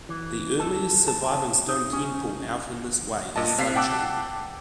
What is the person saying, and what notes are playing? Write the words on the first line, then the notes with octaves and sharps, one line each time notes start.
The earliest surviving stone temple set out in this way is Sanchi.
E3
A4
A5
D#4
C#4
A#2 D#5 A5
C3 F5 B6 C7
F#5 G5 A5 D6 E6 F#6